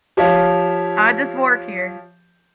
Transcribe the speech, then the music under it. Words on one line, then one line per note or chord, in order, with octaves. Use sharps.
I just work here.
F3 G4 C#5 E5 F5